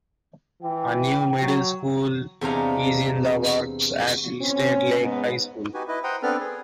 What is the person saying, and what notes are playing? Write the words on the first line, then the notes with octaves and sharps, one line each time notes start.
A new middle school is in the works at East Lake High School.
E3 G5
F#3
E2 C3 D4 D#4 F5 G#5
C4 C#4
G#2 B3
D#4 F#4 G4 B4 G#5
E4 B4 D#5
C5 F#5 G5 A#5 D#6
B3 C4 D4 A4 B4 F6
G#4